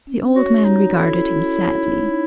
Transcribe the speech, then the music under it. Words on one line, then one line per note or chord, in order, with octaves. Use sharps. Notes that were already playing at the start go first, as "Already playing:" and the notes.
The old man regarded him sadly.
C#4
F#4 C#5
D#4 F#4
E4 A4
C#4
C#5
D#4
D#4